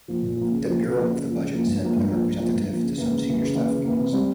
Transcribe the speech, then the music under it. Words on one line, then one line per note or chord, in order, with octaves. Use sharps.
The Bureau of the Budget sent a representative to some Senior Staff meetings.
F3 A#3
A#2
F3 A#3
C#3
F3 A#3
C#3
F3 A#3
C#3
F3 A#3
C#3
F3 A#3
G2
F3 A#3
G2
F3 A#3
G2
F3 A#3
G2
F3 A#3
C#3
E3 A#3
C#3
E3 A#3
C#3
E3 A#3
C#3
E3 A#3
C3
G3 C4